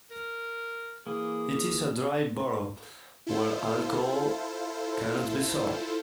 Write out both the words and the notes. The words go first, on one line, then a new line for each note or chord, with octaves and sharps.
It is a dry borough, where alcohol cannot be sold.
A#4
E3 A#3 G#4
E4 F4 A4 C5